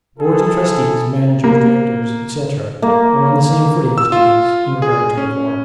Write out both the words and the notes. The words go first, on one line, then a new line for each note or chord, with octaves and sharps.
Boards of Trustees, Managers, Directors, etc., are on the same footing as committees, in regard to a quorum.
E4 G#4 A4
A#3
A#3
E6
F4
G#4
C#4